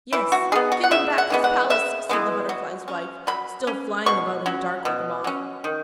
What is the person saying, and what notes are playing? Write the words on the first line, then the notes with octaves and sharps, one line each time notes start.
'Yes, give him back his Palace,' said the Butterfly's Wife, still flying about in the dark like a moth.
E3 E4
F#4
B3 D#4 G#4
F#4
F#5
C#3 E5
F#5
E3 G#3 B3
F#5
C#3 E5
E3 G#3 B3
F#3
C#4
F#3 B5
C#4
B2 C#6
F#3 C#4
B2
F#3 C#4
D#3